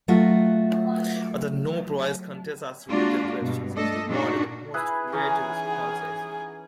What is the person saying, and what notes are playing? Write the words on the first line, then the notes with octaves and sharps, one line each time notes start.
Other No-Prize contests asked readers questions and rewarded the most creative responses.
F#3 A3 F4 F#4 E5
G#3 A#3 D4 F4 F#4 D5
G2 B2
A3 D4 A4 D#5
A#2 D4 D#4 F#4
E4 G#4 B4
E3 C#4 D#4 G#4